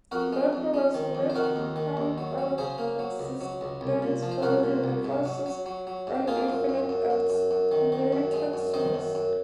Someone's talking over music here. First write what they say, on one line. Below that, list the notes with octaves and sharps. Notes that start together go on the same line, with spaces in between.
Beppo was retconned out of existence following the "Crisis on Infinite Earths" limited series.
F2 F#4 A#4
G#3
F2
G#3
D#3
F2
C5
D#3 F#4 A#4
D#2
D#3
D#2
F#3
F#3
C#3 G#4 C5
A#3
F#3
C#2
F#3
C#2
C2
A#2
F3
C5
C2 F#4 A#4
A#2
C2
G#2
F#3
F#3
F#3
F#3
G#2
A#3 F4 G#4
F#2
F#2
F#2
F#2
F#2
F#2
D#3
D#3
F#2
G#3
F#2
D#3 C5 D#5
F#2
F#2